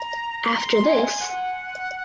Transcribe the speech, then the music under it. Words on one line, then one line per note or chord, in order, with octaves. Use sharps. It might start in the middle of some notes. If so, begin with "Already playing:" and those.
After this.
Already playing: A#5
A#5
C6
G#5
F#5